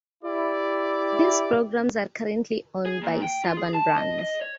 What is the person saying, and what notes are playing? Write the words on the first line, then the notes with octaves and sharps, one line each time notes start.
These programs are currently owned by Saban Brands.
E4 G4 D5
G#4
A#2
G5
F4
G#4
A5
D#5
D#5
C#5